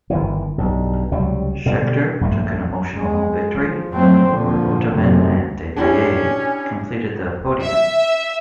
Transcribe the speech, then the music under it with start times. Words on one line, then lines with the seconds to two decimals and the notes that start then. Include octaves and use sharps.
Scheckter took an emotional home victory, with Reutemann and Depailler completing the podium.
0.10 G1 D#3 E3
0.58 B1 G2
1.11 C#2 C3 F#3 G3
1.66 B2 D3 G3
2.21 A#1 G2 A3
2.94 G#3
3.55 F3
3.92 F2 F#3 A3 C4
4.26 A#2 D3 F3
4.93 G1 F#2 C3 D#3 A3
5.76 C#4 D4 E4 G4
7.62 E5